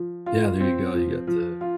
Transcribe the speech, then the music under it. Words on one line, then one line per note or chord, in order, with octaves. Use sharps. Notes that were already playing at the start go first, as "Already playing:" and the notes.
Yeah, there you go. You got the,
Already playing: F3
F4
C4
F3
F3
F4